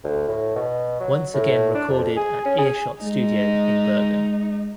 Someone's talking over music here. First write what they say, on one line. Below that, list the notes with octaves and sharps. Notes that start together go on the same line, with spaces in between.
Once again recorded at Earshot Studio in Bergen.
D2
A2
B2
F#3
A2
D4
F2
G#4
C#4
G#4
G#3 D#4